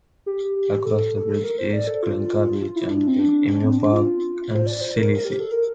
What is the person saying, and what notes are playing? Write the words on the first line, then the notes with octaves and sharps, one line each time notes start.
Across the bridge, is Kinka Beach, and then Emu Park and Zilzie.
G4
A4
A#4
C5
D5
A4
F4
F4
E4
D4
C4
D4
D4
C4
D4
F4
C5
D5
C5
A#4
G4
A4
A#4